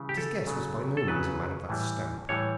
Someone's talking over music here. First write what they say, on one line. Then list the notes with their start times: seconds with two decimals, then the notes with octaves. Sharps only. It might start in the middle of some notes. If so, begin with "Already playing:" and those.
But his guest was by no means a man of that stamp.
Already playing: C#3 E3 G3
0.09 G4
0.17 A4
0.47 C#3 F#3
0.97 A4
1.07 C#3 F#3 B4
1.69 A2 E3 G3
2.29 A2 E3 G3 C#5